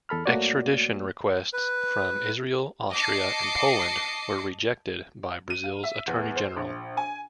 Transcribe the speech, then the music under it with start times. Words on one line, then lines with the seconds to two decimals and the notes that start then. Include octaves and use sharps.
Extradition requests from Israel, Austria and Poland were rejected by Brazil's Attorney General.
0.09 E2 A4 B5 F6
0.26 G2 A3 A#3 F#4 C#5 D5
1.53 B4
2.94 D#5 A5 D6 C7 C#7
5.50 D#7
5.64 F5
5.83 E5
6.07 E2
6.36 C5
6.56 A#1
6.97 G#5